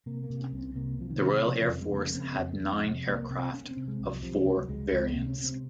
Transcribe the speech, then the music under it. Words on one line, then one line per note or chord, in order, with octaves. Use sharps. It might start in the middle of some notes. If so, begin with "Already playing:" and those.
The Royal Air Force had nine aircraft of four variants.
C3 A#3
A#3
C3
C#4
C2
C4
C3 A#3
C3 F3
D#3
C3
C#3 F3
F3
F2
G#3
C#3
A#3
C#4
C#3 C4
C4
F2
C#4
F2
C4
C3
C2 A#3
C3 C4
C3 C#4
C4
C3
G#3
C2
F3
F#3
C3 F3
C#2 F#3
C#2 G#3
C#2 G#3
C4
C3
C#4
C3
C4